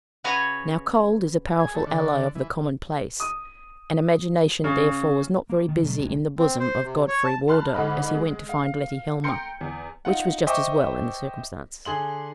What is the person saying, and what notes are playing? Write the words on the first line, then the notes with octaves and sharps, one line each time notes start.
Now cold is a powerful ally of the commonplace, and imagination therefore was not very busy in the bosom of Godfrey Wardour as he went to find Letty Helmer, which was just as well, in the circumstances.
C#3 F#4 B4 C#5 G#5 A#5
G#4
A3
D3
E3
D#6
C#3
A#3
D#3
B2 F#3 A3
C#2 C3 E3 G#3
C4
C5
C3
C#5
A5
A5 B5 C6 F6 F#6
G#2 D3 D#5 B5
G#3
F5
G5 A#5 C6 G6 C#7
E2
D#4 F4 F#5
C5 D#5 E5 G5 C#6 D6
D3 G#4 C6 F#7